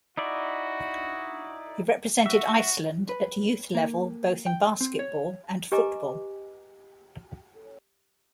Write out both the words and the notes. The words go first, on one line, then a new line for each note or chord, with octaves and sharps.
He represented Iceland at youth level both in basketball and football.
D#4 E4 F#4 D5
F#4 E5
B4
A#3
G5
C4
C#5
G4 B4 D#5 G#5 A#5 D6